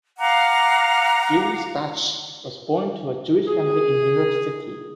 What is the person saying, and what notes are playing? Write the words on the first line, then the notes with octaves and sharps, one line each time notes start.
Julius Bache was born to a Jewish family in New York City.
F5 F#5 A#5 D6
G#4